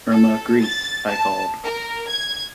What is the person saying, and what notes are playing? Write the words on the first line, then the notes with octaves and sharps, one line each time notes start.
'Irma Grese', I called.
A4
A6
A5
A#4
G#6